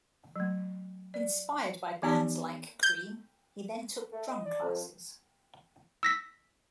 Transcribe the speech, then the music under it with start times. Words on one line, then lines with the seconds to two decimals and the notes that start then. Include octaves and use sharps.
Inspired by bands like Cream, he then took drum classes.
0.36 F#3 A3
1.14 D5
2.02 E3 B3 D#4 G4 D5
2.83 G6
4.12 A3
4.27 D#5
4.45 D5
4.62 F2
6.03 E6 A#6 B6